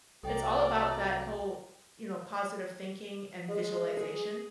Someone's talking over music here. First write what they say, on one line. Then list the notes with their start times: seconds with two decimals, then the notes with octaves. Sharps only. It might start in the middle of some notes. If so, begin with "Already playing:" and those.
it's all about that whole, you know, positive thinking and visualization,
0.23 C2 C4 F#4 A4 D5 G5 A#5
3.49 G#3
3.97 G#4